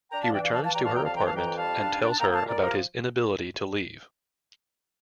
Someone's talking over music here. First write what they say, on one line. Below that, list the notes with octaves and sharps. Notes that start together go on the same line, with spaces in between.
He returns to her apartment and tells her about his inability to leave.
D4 G5 A#5
F5 A5
E3 E5 G5
D5 F5
E3 F5 A5
F5 A5
G3 G5 A#5
F5 A5
F2 G5 A#5
F5 A5
E3 G5 A#5
F5 A5
F2 G5 A#5
G5
G3 F5 A5
D4
F5
D4 G5
A5
A#3 G5 A#5
A#5
F5 A5
A#2
A#4 D5
F3 G4 A#4